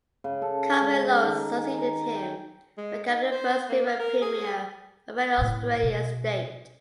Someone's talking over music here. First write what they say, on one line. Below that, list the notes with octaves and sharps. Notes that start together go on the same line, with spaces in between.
Carmen Lawrence succeeded him, becoming the first female premier of any Australian state.
C#3
A4
G#3
A4
D#3
G#5
A#5
G5
G#3
D#4
C5
A#3
F5
A#4
G#4
A2 F#3
B2